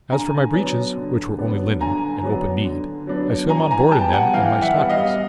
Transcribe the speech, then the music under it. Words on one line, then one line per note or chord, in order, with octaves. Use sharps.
As for my breeches, which were only linen, and open-kneed, I swam on board in them and my stockings.
D3 G#5 A#5
F#3 B3 D4
D3
F#3 B3 D4
D3 G#5 A#5
F#3 B3 D4
D3
F#3 B3 D4
E3 G#5 A#5
G#5 A#5
G3 B3 G5 A5
F#5 G#5
E3 F5 G5
E5 F#5
G3 B3
D#5 F5